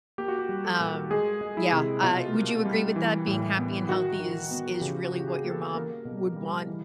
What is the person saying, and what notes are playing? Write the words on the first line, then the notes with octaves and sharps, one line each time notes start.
Um, yeah, uh, would you agree with that, being happy and healthy is is really what your mom would want
A#3 G4
F#4
G4
G3
A4
A#2
G#3 G#4
G#3
E4
C3
B2 F4
A#3
G3
E3
A2
B3
D#3 F#4
D#3
B3
C#3 G4
F#4
C#3 G4
F#4
G#4
A#3
A4
A#3 A#4
B2
G3
E3